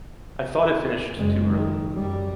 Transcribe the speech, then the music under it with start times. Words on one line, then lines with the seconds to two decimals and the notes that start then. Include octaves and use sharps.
I thought it finished too early.
1.18 F#1 G#3
1.49 D#3
1.91 F#2 G3